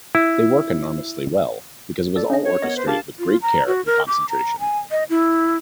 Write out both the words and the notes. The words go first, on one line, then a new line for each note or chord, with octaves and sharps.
They work enormously well, because it was all orchestrated with great care and concentration.
E4
A4 D5
C#4 D4 D#5
C#5
B3 A#4 D#5
B4 C5
D4 G4 A#4 F5 A5
F4
A#5
F#4
A#4
D6
A#5
G#5
D#5
E4